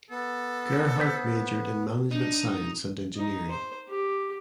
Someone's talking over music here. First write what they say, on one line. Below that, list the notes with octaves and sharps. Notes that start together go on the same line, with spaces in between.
Gerhart majored in Management Science and Engineering.
B3 A4
C5 G6 B6
D4 D#4
D#4
C5
G4